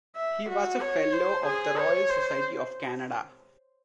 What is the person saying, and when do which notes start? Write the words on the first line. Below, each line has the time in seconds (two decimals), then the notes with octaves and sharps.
He was a Fellow of the Royal Society of Canada.
0.16 E5
0.49 F#4
0.81 C#5
1.13 C5
1.46 G#4
1.77 C#5
2.10 C5